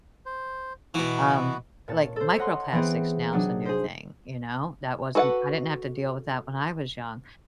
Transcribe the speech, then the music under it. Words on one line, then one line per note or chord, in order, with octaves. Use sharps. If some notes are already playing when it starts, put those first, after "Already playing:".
um, like microplastics now is a new thing, you know? That wasn't I didn't have to deal with that when I was young,
C5
B2 E3 B3 F#4
A#2 C#5 A5
A4 C5
C#5 D#5 F#5 A#5 C6
E3 B3 C4 G#4
C3 F#3 D4 D#4
G#4 C5
F#4 A4 B4 F5 F#5